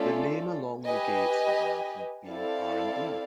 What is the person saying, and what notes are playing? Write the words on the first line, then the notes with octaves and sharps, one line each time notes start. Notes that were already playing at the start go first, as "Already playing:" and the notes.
The name alone negates the band from being R and B.
Already playing: A3 C#4 F4 A4 D5
G4 B4 D#5 G#5
C4 E4 A4 D5 F5